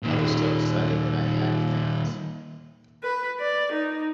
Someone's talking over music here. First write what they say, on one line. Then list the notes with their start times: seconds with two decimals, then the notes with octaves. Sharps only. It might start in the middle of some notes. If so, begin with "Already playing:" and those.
I was so excited that I had fans!
0.03 A#2 D#3
3.03 B4
3.40 D5
3.73 D#4